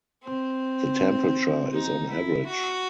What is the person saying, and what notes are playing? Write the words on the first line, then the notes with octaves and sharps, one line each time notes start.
The temperature is on average.
C4
D#4
E4
F#4